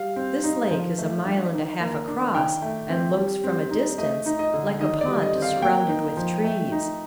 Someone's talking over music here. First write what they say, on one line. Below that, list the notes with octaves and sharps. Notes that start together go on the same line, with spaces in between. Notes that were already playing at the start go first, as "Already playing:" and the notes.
This lake is a mile and a half across and looks, from a distance, like a pond surrounded with trees.
Already playing: G3 F5
C4
D#4
F3
A3
D4
D#3
A#3
D4
D#3 G5
A3
C4
G3
C4
D#4
A3 D#5
D#4
D#5
D3
D#3 D#5
D5
G3
D#5
C4
F5
A#3 G5
D#4
F3
A3
D#4